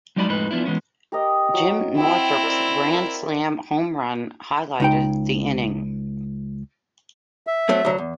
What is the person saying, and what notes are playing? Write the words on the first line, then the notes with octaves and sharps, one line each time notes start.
Jim Northrup's grand slam home run highlighted the inning.
F#3 G#3 D#4 D5 E5 B5
F2 A2 G#3 D#4 B4
F3 B3 D4 E4
E3 G#3 B3 C#4
G4 A#4 D#5
F#3
C4 E4 G5 E6
A#4 D5
A#4
C#2 D#4 G5
E5
F#3 A3 C4
D2 F#3
E2